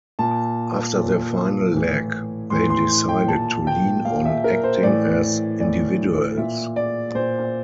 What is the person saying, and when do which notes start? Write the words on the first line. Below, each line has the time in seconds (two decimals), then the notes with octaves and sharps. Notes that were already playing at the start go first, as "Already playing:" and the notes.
After their final leg, they decided to lean on acting as individuals.
0.19 A#2 A5
0.96 A#2
1.73 A2 E3
2.50 A2 E3 C6
2.70 C6
3.09 G5
3.28 A#2 A5
3.67 G5
4.05 A#2 F5
4.25 E5
4.44 A#4
4.64 C5
4.83 A2 E3 D5
5.60 A2 E3 D5
6.37 A#2 E5
6.76 D5
7.15 A#2 C5